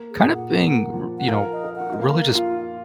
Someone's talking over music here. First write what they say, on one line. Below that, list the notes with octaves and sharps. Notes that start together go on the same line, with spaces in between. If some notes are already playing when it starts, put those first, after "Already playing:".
kinda being r you know, really, just,
Already playing: A#3
G#4
A#2
F#5
A#3
F3
F#5
A#4 F5
D#5
A#4
F#5
D#5
A#3 F5
F4 F5